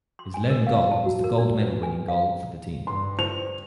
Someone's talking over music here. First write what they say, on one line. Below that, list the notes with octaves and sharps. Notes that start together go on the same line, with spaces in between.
His lone goal was the gold medal winning goal for the team.
C6
G#5
A#4
F5
A5
F#4
A#4
D4
B4
G#5
F5
G2 C6
C5 F7